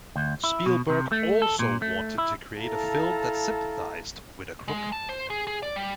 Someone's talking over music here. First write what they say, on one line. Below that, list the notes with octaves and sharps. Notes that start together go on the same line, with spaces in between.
Spielberg also wanted to create a film that sympathized with a crook.
D2
E4
B2
C3
A3
A4
A#2
A3
E4
E4 A4 F5 A5 A#5
G#3
A5
C5
G#4
G#4
D5
G3